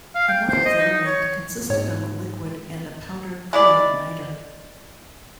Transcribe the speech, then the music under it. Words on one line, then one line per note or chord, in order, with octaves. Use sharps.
Another variant consisted of a liquid and a powder preigniter.
F5
G5
C5
D#5
D#4
C#5
G#2 C#5
G#3 E4 D5